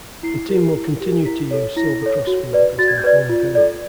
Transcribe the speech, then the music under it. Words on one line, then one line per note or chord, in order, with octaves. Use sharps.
The team will continue to use Silver Cross Field as their home venue.
E4 C7
G4 A#4
E4
G4 A#4
E4 B6
A4 C#5
E4 A#6
A4 C#5
F#4
B4 D5
F#4 A6
G#6
G6
B4 D5 G#6
F4
A4 D5